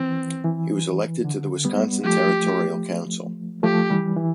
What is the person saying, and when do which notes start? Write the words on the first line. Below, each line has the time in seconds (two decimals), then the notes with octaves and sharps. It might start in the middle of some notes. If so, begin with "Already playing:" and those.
He was elected to the Wisconsin Territorial Council.
Already playing: E3 C4
0.44 E3
1.24 D3
1.65 G3 B3
2.04 F3 A3 G4
3.63 F3 A3 G4
3.90 E3 G3
4.16 E3